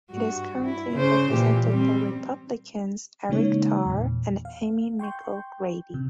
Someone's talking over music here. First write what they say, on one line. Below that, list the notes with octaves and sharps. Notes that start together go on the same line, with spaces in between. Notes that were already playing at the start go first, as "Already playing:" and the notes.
It is currently represented by Republicans Eric Tarr and Amy Nichole Grady.
G2 F#4
E4
C#3 C5
A#2 E3 G4
G3 C4
C#3 E3 G#3 A#3 D#4 C#5
E2 A#2
F5
G5 C6 C#6 G6
C3